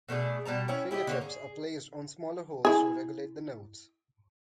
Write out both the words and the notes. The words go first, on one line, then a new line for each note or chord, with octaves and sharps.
Finger tips are placed on smaller holes to regulate the notes.
B2 A3 D4 G#4
B2 G3 A5 A#5
C#4 E4 C#5 G5
E4 G4 C5 D#5
D3 A#3 C#5
G#4
E4 G#4